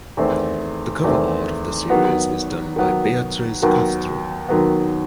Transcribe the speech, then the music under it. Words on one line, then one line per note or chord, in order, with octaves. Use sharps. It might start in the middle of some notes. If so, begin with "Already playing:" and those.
The cover art of the series is done by Beatriz Castro.
E2 D#3 A3 C4
E2 D#3 A3 C4
D#3 F#3 B3
D#3 F#3 B3
D#2 D#3 F#3 B3
D#2 D#3 F#3 B3